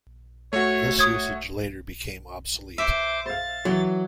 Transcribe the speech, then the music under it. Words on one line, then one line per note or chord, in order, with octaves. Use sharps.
This usage later became obsolete.
A3 F#4 C#5
C#5 D#6 G#6
C5 E5 D6
C5 F5 A6
E3 F#3